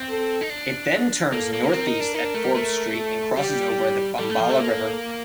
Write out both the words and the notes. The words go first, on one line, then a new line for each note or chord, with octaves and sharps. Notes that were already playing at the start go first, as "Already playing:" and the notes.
It then turns northeast at Forbes Street and crosses over the Bombala River.
Already playing: C4
A4
D#4
D4
A#3 A4
A#3
A#3
C4 A#4
D#4
D4
D#4 A#4
D4
A3
G3
A3
A4
G3 G4
G3 A4
A3
F3
A3
A#3 A4